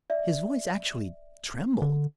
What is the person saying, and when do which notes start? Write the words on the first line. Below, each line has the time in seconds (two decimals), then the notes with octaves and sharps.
His voice actually trembled.
0.10 D5 E5
1.82 D3